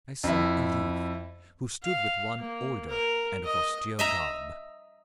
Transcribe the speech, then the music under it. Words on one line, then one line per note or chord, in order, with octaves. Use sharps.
I saw a youth who stood with one older and of austere garb.
F2 E4
F5
A#3
A#4
D#5
D#5 E5 A#5